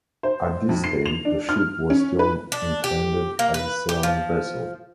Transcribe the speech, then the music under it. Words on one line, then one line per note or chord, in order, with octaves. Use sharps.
At this stage the ship was still intended as a sailing vessel.
C5
F2
C7
F7
D4
F6
C#4
B4
D4
G4
A#3
B4
G4
F3